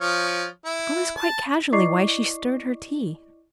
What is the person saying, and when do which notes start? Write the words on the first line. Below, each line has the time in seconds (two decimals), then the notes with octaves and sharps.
All this quite casually while she stirred her tea.
0.01 F3 C#5 F6
0.65 E4
1.16 A5
1.72 E4 D5 D#5 C#6 D6 C7